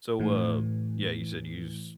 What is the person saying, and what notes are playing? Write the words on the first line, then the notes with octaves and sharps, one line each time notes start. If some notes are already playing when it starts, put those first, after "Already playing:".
So, uh, yeah, you said you use
A2 E3